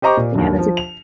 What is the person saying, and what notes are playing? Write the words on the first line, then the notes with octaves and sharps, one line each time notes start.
Yeah, that's a
G4 C5 D#5 A#5 C#6 D6
A#2
G1 D#2
F3
F7